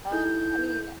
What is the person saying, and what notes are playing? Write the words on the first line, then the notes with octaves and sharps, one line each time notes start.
Um, I mean,
D#4 E4 A4 G6